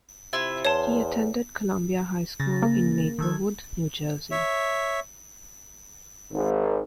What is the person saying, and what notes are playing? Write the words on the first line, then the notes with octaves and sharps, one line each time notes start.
He attended Columbia High School in Maplewood, New Jersey.
C3 E4 F4 E5
E2 C5 C#5 A5
C#3 A6 A#6
A#3
D#3 A4 G#6
C#5 E5
G#1